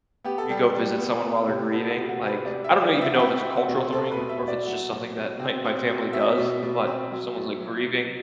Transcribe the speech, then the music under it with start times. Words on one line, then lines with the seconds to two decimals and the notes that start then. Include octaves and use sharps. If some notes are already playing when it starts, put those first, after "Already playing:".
you go visit someone while they're grieving, like I don't know. Even know if it's a cultural thing or if it's just something that, like, my family does, but if someone's, like, grieving
0.24 B3 G4
0.38 A4
0.49 G3 G4
0.75 G3
0.98 B3
1.24 B3
1.48 C3
1.72 B3 A4
1.90 F#4
1.97 C3
2.09 F#4
2.21 C3
2.27 B4
2.46 C3 D5
2.64 E5
2.70 G3
2.82 D5
2.95 B3
3.01 E5
3.14 F#5
3.19 C4 E5
3.43 C4
3.56 F#5
3.68 B2
3.92 B2 A4
4.05 A4
4.12 B4
4.17 B2
4.29 E5
4.42 B2
4.48 D5
4.67 F#3 F#5
4.91 B2
5.16 B2
5.40 C4
5.64 C4
5.89 B2
6.13 B2 E5
6.38 B2
6.63 B2
6.87 C4
7.11 F#3
7.36 B2
7.60 F#3
7.85 F#3